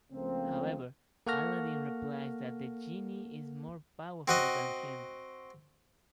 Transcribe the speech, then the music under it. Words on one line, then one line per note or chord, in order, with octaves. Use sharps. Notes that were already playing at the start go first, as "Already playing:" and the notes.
However, Aladdin replies that the Genie is more powerful than him.
C#2 C#3 F3 A3 A#3 C4
A#3 A4 F#5 C#6 F6 A#6
C4 F#4 D#5